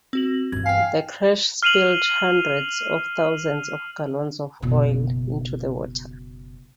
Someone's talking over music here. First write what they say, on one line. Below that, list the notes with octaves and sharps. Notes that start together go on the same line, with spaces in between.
The crash spilled hundreds of thousands of gallons of oil into the water.
C4 F#4 F#7
G1 E3 G#6
F5 G5 G#5
F6 C7 D#7 F7 F#7
F#1 B2